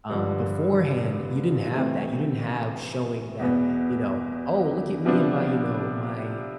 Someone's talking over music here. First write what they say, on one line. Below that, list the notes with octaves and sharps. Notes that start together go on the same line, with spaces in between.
um, beforehand, you didn't have that. You didn't have showing that, you know, "Oh, look at me and my," you know, "my
G2 D3 F3
C3 E3 A3 C4
E2 B2 B3
C3 F3 B3 D4